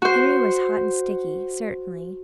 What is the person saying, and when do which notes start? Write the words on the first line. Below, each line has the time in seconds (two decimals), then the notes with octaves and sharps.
Henry was hot and sticky, certainly.
0.02 F#4 C5